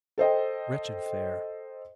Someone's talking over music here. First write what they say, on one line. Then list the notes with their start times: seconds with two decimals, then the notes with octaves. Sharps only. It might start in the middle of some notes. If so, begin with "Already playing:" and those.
Wretched fare!
0.18 A4 C5 D#5 G5